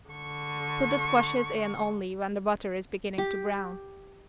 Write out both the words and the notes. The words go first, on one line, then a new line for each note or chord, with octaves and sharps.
Put the squashes in only when the butter is beginning to brown.
D3 C#6
G4